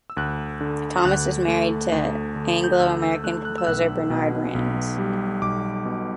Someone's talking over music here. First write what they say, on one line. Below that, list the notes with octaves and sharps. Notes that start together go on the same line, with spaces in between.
Thomas is married to Anglo-American composer Bernard Rands.
E6
D2 F#6
D3
D2 F#6
A3
D2
D3
G6
F#6
D2 E6
E6
A3 F#6
F#6
E6
B1 F#6
B2
B1
G3
B1 D6
B2